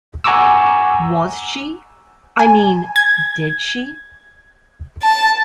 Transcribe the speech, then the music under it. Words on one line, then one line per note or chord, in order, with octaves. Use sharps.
Was she? — I mean, did she?
F#5 G#5 A#5 C#6 D6 E6
G#5
G#6
A5